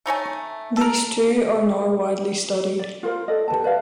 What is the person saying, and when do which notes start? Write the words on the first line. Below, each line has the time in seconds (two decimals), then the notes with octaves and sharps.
These too are now widely studied.
0.06 A3 D#4 C#5 G#5
0.77 A4 A#4
2.79 D5
3.03 F4 A#4 C5
3.28 A4 D5 D#5
3.48 G4 B4 A5
3.64 B4 D5 E5 F5